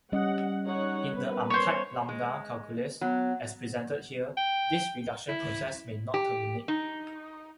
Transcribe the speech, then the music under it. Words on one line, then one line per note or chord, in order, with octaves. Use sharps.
In the untyped lambda calculus, as presented here, this reduction process may not terminate.
G3 C#4 D#5 F#5
D#4 C#5 F#5
B3 A#4 B4
C5 C#5
G#3
F#3 B3
G5
E4
G4
D#4